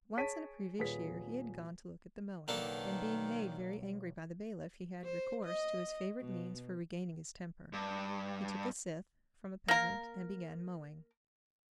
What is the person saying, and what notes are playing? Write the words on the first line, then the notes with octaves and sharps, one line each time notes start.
Once in a previous year he had gone to look at the mowing, and being made very angry by the bailiff he had recourse to his favorite means for regaining his temper,--he took a scythe from a peasant and began mowing.
G#4 C#5 A5 B6 D7 D#7
D#1 G#4 B4 B6
B1 B2 D#3 A#3 D4 A4
C5
D#5
B2
G2
A#3 A#4